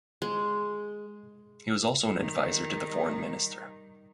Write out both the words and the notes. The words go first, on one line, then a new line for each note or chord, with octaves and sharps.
He was also an advisor to the foreign minister.
G#3
D#3 G3